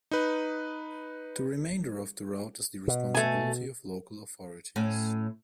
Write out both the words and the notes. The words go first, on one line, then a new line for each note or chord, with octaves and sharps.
The remainder of the route is the responsibility of local authorities.
D#4 B4
B2
A3 G#5
A2 C#4